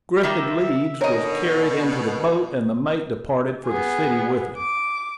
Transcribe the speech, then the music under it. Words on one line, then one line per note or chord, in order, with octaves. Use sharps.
Griffin Leeds was carried into the boat, and the mate departed for the city with him.
D#3 G3 A#3 E5
B2 D3 D#3 D4 A#4 C#5 D#5
B3 G#4
D6